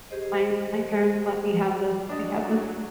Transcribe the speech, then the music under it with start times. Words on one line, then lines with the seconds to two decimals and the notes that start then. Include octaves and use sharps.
my my parents let me have this we had this
0.11 G4 G#4 C5 D#5
2.09 F#3 D4 D#5